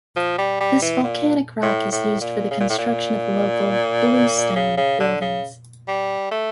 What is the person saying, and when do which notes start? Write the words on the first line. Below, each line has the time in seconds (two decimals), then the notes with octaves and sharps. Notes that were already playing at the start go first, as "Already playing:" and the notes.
This volcanic rock is used for the construction of local "bluestone" buildings.
0.16 F3
0.38 G3
0.60 G3
0.82 E3
1.04 A#2
1.63 A2
1.92 A2
2.21 A#2
2.51 C#3
2.60 A#2
2.70 A2
2.78 A#2
4.56 C#3
4.77 C#3
5.00 D3
5.21 C#3
5.88 G3
6.31 A3